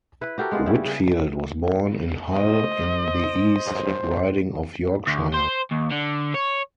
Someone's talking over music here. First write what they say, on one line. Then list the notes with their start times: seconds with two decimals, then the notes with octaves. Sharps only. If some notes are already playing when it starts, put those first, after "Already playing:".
Whitfield was born in Hull in the East Riding of Yorkshire.
0.21 E4 B4
0.38 F#4 G4 A4 A#4
0.52 G#3 B3 F4
0.66 G3 C#4 E4
0.85 C#3 G#4
2.36 C5 D#5
5.07 D2
5.34 C5
5.71 D#2
5.91 D3
6.34 C#5